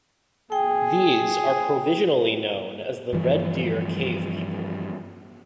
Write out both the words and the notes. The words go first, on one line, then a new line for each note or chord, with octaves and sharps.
These are provisionally known as the Red Deer Cave people.
G#4 G5
G2 E3 F3